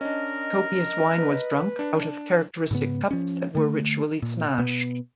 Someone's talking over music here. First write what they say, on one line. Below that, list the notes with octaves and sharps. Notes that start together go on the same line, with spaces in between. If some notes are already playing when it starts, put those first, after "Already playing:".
Copious wine was drunk, out of characteristic cups that were ritually smashed.
C#4 D4 A#4 D#5
B4
D4
G#2 C#3 B3
F3 C#4
D3 A3
A#2
B2 B3